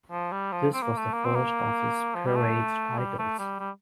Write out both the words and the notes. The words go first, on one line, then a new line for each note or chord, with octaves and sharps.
This was the first of his peerage titles.
F3
G3
F3
C4
A#3
A3
A#3
C4
A#3
F3
G3
A3
G3
A3
G3
G3